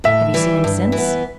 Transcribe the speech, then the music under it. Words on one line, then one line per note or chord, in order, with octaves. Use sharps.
"Have you seen him since?"
A2 E5
E3 G3
G2
E3
B3